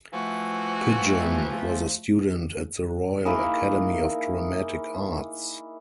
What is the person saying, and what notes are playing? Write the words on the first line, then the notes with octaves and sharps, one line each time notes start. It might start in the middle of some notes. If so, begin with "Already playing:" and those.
Pidgeon was a student at the Royal Academy of Dramatic Arts.
E3 F3 A3 F#4
A#3 D#4 E4 G#4